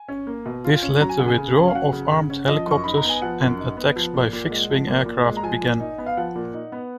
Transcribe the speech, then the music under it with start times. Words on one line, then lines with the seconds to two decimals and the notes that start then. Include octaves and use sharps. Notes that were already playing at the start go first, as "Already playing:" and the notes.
This led the withdrawal of armed helicopters and attacks by fixed-wing aircraft began.
Already playing: G#5
0.08 C#4
0.27 A#3
0.46 B2
0.65 F4
0.83 C#4
1.01 F#3 A#5
1.09 G#5
1.19 C#3 F#5
1.28 G#5
1.37 C#3
1.57 C#4
1.69 F5
1.75 F#3 F#5
1.93 C#3
2.11 C#3
2.30 C#4
2.48 F3 D#5
2.67 F#2 C#6
2.84 D#4 B5
2.97 A#5
3.04 B3
3.09 G#5
3.22 F3 F#5
3.40 F#2
3.59 D#4
3.77 B3
3.96 F3
4.14 A#2
4.33 A#2
4.51 G#3
4.70 F3
4.88 A#2
5.06 A#2
5.25 G#3
5.37 A#5
5.43 F3 G#5
5.61 A#2
5.80 D#4
5.98 B3
6.06 F5
6.17 F3 F#5
6.35 A#2
6.53 D#4
6.72 B3